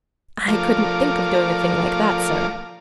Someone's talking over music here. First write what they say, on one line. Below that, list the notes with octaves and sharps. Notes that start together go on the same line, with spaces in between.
"I couldn't think of doing a thing like that, sir."
F3 A3 F4 A#4 D5